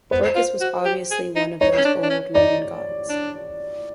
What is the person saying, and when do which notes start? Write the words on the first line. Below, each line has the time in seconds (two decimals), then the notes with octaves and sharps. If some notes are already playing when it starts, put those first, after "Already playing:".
Orcus was obviously one of those old Roman gods.
0.11 B3 C5
0.36 F4
0.61 F#4
0.85 G4
1.11 G#4
1.36 D#4
1.61 D#4 C#5
1.78 C#4
1.85 D4
2.03 D4
2.10 C#4
2.35 D#4 D5
3.09 D4